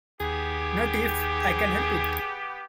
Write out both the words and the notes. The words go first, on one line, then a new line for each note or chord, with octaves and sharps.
Not if I can help it.
D#2 B3 G4 G#4 G#6